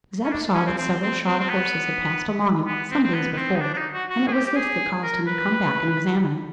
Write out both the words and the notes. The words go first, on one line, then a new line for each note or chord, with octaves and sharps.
Zeb saw that several shod horses had passed along it, some days before: and it was this that caused him to come back and examine it.
C#4
D4
C#4
C4
C4
C4
C4
C4
B3
B3
C4
C4
B3
B3
C4
D#4
D4
D4
D#4
F#4
F#4
G#4
G4
G4
G#4
A#4
B4